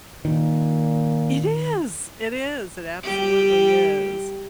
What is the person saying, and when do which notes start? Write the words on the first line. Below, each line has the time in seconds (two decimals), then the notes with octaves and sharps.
It is, it is, it absolutely is.
0.25 A#2 D#3
3.03 G3 G4